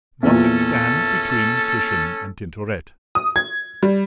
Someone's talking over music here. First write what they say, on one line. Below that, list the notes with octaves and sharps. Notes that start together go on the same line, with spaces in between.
Thus it stands between Titian and Tintoret.
E2 A#2 C#4 A4
D#6
G#6
G3